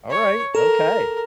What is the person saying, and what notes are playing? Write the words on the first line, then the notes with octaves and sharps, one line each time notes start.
Alright, okay.
C#5
A4 A#4